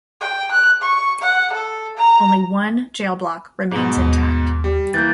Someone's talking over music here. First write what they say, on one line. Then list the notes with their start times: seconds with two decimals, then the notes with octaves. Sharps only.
Only one jail block remains intact.
0.20 G5
0.51 F#6
0.82 C#6
1.21 F#5
1.53 A4
1.96 A#5
3.71 G#2 B2
3.97 D#2
4.64 G3
4.94 E3 A#3 G6 A6